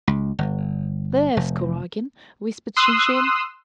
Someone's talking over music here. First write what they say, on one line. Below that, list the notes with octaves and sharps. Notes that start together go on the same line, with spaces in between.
"There's Kuragin!" whispered Shinshin.
C#2
G1
F1
C6 D#6 E6 F#6